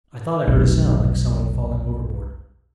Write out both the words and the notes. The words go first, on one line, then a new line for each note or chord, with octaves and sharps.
I thought I heard a sound like some one falling overboard.
F1 B1